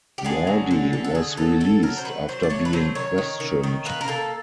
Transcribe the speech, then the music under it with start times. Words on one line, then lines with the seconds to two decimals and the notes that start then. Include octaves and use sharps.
Wardy was released after being questioned.
0.18 G4
0.25 D3 G#4
0.47 F#3
0.71 D3
0.93 D3
1.04 A4
1.15 A3 G#4
1.37 F#3 A4
1.60 A3 A4
1.83 F#3 A#4
1.98 C5
2.05 D#3 B4
2.28 F#3 C5
2.43 D5
2.50 A3 C#5
2.65 B4
2.73 F#3 C5
2.95 D#3 C#5
3.18 D#3
3.40 D#3
3.63 D#3
3.85 A#3 B4
4.01 A#4
4.08 A#3 A4